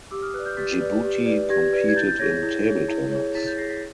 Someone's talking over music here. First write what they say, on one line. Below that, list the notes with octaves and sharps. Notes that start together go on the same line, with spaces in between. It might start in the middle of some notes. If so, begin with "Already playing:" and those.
Djibouti competed in table tennis.
G4 D6 E6
D#6 F6
B4 D5 E6 F#6
F6 G6
G4 A6 B6
B4 D5
G4
B4 D5
G4 G#6 A#6
B4 D5
G#6
E4 G6 A6
G6 A6
G#4 C#5 G#6 A#6
E4
G#4 C#5
E4
G#4 C#5
E4 A6 B6
G6 A6
G#4 C#5 A#6 C7
A6 B6